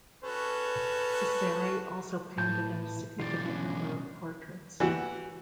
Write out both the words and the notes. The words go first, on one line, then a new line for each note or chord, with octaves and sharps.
Ciseri also painted a significant number of portraits.
C#4 F#4 A4 B4
A2 E3 A5 G6
B1 E3 F4 G4 D5
C#4 D4 F#4
E3 F#4 G4